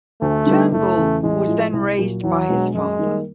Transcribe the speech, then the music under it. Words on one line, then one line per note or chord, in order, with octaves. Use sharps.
Turnbull was then raised by his father.
D2 A3
D3 G3 B3 D#4
F#1 A3
E2 C#3
A1 G#3
A2 F3
C2
A#2 F#3
E2 F#3
B2 G#3 B3 D4
F#2 G#3
D#3 G3 A#3